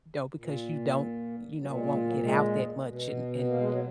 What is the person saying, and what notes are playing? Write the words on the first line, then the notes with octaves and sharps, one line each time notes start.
though, because you don't, you know, won't get out that much and and,
A#2
A#2 F#3
G#3
G#3
F#3 A#3
G#3
B2
A#3
G#3
F#3